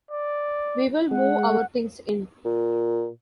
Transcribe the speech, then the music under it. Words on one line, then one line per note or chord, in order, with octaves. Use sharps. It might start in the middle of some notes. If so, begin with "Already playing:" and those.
We will move our things in.
D5
G#3 F#5
A#2